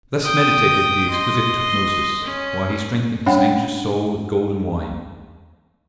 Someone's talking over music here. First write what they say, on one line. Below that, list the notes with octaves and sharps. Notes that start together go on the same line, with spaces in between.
Thus meditated the exquisite Tutmosis, while he strengthened his anxious soul with golden wine.
G5 D#6
D#5 C6
C#4
G3 C#4 D4 C#5 F#5 G5